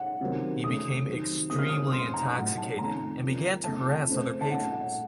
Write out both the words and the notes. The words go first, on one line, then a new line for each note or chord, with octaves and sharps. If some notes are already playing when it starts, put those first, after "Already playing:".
He became extremely intoxicated and began to harass other patrons.
Already playing: F#5
C3 D#3 F#3 A#3 C#4
F2 C#3 A3 D#6
C3 D#3 F#3 C4
C3 F3 A#3 C#4 D#6
F6
D#6
F#2 C#3 A3 C4 C6
A#5
A2 F#3 A3 F#5
A5
F2 D#3 A3 C#4 A#5
C#3 F3 A#3 C#4
F2 C#3 A3 A5
C#3 A3 C4
A5
A#2 A3 C#4 F#5
F#5